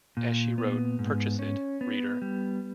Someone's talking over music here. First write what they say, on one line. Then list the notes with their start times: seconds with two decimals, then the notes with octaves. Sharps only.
As she wrote, Purchase it, reader.
0.17 A#2
0.58 B3
0.99 G#2
1.39 C#4
1.81 B3
2.22 G3